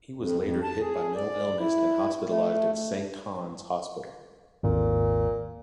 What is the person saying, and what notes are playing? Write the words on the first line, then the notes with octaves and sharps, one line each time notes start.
He was later hit by mental illness and hospitalized at Sankt Hans Hospital.
F2
F2
A5
G#4
D5
E4
A3
G#1 D#2 A#2